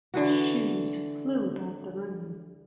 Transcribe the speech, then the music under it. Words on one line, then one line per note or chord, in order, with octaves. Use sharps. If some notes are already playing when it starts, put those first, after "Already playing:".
Shoes flew about the room.
D3 E3 F#4